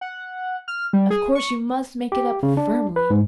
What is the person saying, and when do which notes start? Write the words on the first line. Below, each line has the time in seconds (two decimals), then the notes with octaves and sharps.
Of course, you must make it up FIRMLY.
0.01 F#5
0.68 F6
0.93 G3
1.10 G#4
1.35 C#6
2.12 G4
2.43 C#3
2.57 D4
2.96 B4
3.10 G#2